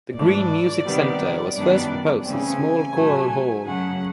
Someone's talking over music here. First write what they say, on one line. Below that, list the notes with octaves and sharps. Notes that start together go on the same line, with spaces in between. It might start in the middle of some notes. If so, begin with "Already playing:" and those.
The Green Music Center was first proposed as a small choral hall.
G#2 E3 A3 D4 D5
C3 D#3 G3 B3
F#2 D#3 G3 B3 D4 D5
C#3 E3 A3 C4 G#5
A2 F#3 A3
F#2 C#3 F#3 A3 F#5